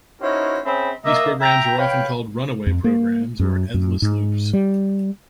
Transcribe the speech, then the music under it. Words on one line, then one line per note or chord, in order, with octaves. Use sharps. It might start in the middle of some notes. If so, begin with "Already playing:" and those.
These programs were often called run-away programs or endless loops.
C#4 D#4 E4 F#4 A#4 C5
C4 C#4 G#4 E5 G5 B5
A#3 D#5 E5
E5 G5 A#5
B4 C#5 F5 G5
F2
A#3
F#2
F#2
G#2
G3